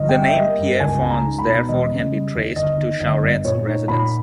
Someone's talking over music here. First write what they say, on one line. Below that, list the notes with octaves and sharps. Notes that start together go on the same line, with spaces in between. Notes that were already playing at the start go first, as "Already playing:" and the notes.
The name Pierrefonds therefore can be traced to Chauret's residence.
Already playing: G1 D#5
G5
G3
E5
A#3 D#5
G2
C#2 G#5
G#3
A#5
D#4
B5
B2
E1 D#5
C#3
G3
D#2
G1 D#5
D#3
G1 D#5
G2
A#2 C#5
D#4
A#2 B5